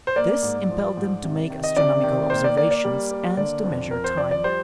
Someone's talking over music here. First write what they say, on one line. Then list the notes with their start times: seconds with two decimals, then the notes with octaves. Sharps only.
This impelled them to make astronomical observations and to measure time.
0.07 C5
0.16 A#3 D5
0.43 G#2
0.70 F3
0.97 G#2
1.23 C3
1.50 D#3
1.64 D#5
1.76 C3 D5
2.04 D#3
2.30 A#3 C5
2.44 D5
2.57 A#3 D5
2.71 D5
2.84 G3
3.11 A#3
3.37 D3 D5
3.64 F2
3.91 F2 A#4
4.04 C5
4.17 F3 D5
4.31 D5
4.44 G3 C5